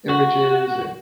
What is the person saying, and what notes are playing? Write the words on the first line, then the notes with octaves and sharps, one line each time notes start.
images and
F#4